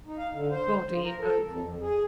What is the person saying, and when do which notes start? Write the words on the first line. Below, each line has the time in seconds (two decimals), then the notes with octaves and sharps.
Body oval.
0.06 D#4
0.18 F5
0.32 D3
0.51 C5
0.88 F3
1.04 A#4
1.21 A4
1.47 F2
1.62 F2
1.80 G#4